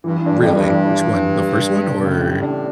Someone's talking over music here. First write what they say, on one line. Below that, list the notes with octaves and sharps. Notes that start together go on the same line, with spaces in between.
Really? Which one? The first one? Or
G2 E3
G2
D4
F2
G3
G2
E3
E3
D4
G4
D4
G3
A2 C#3
G4
D4